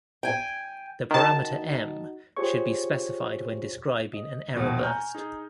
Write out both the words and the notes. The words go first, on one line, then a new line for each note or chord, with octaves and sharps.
The parameter "m" should be specified when describing an error burst.
G5 G#5
D#3 D#4 F#4 A5
F4 G4 G#4 C5 C#5 C#6
D#5
A#1 D#2 B2
G#5 A#5 C#6 F6 G6
D#4 G#4